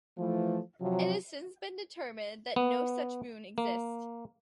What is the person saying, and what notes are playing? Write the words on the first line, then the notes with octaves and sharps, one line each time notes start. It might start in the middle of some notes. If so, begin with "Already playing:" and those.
It has since been determined that no such moon exists.
E3 F3 A3
C3 F3 F#3
B3
A#3